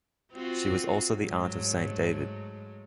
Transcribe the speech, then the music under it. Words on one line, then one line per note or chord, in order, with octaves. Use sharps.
She was also the aunt of Saint David.
C4 F4 F#4
G#2 F#3 G#3 A3